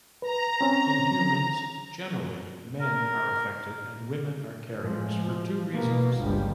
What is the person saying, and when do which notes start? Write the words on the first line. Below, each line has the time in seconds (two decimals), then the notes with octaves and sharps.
In humans, "generally" "men are affected and women are carriers" for two reasons.
0.22 B4 A#5
0.61 C4 C#4
2.80 A#4
4.79 A2 F3 G#3
5.19 F3
5.73 B2 A#3 B3
6.18 G1 C#2 F3 G3